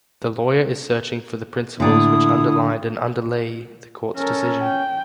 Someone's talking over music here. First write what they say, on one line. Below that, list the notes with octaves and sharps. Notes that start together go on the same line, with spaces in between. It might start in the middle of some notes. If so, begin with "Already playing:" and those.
The lawyer is searching for the principles which underlined and underlay the court's decision.
A2 D3 A3 A#3 E4 D5 D#6
C#4 A4 A#4
G5